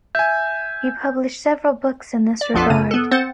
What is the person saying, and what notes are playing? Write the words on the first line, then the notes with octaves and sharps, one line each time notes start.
He published several books in this regard.
E5 G#5 G6
D5
A#1 F2 B3 F4 A4 B6
F#2 C#3 D#7
B3 A4
C4 C5 F#5 A6